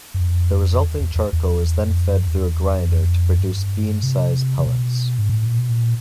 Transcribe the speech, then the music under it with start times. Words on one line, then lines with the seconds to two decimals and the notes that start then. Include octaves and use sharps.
The resulting charcoal is then fed through a grinder to produce bean-size pellets.
0.14 F#2
0.20 F2
0.84 E2
1.01 E2
1.16 E2
1.33 E2
1.80 F2
2.12 F#2
2.27 E2
2.76 F2
3.39 G2
4.03 C3
4.59 C3
4.67 B2
5.19 G#2
5.29 A2
5.46 A#2
5.58 B2
5.69 A#2